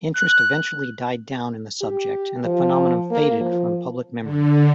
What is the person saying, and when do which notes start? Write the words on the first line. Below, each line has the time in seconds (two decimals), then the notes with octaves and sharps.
Interest eventually died down in the subject and the phenomenon faded from public memory.
0.16 F#6
1.81 G4
2.45 F3
3.11 A#3
3.40 F3
4.21 D3